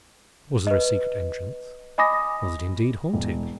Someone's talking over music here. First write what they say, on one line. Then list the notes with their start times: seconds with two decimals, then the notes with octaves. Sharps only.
Was there a secret entrance? Was it, indeed, haunted?
0.67 B4 D#5
1.98 D#5 G#5 B5 D6 D#6 A#6
3.13 E1